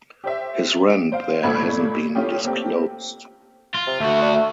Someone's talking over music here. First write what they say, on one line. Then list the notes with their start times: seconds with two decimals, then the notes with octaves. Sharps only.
His rent there hasn't been disclosed.
0.24 G4 C5 E5
0.90 D7
1.12 C5 F5
1.43 G1 A#2 A3 B5 G#6
2.15 A3 B3 C#4 E4 F4 G4
2.43 A3 A#3 C4 G4
3.74 F4
3.87 C3
4.00 D2 A3 F#4
4.22 D4
4.35 A3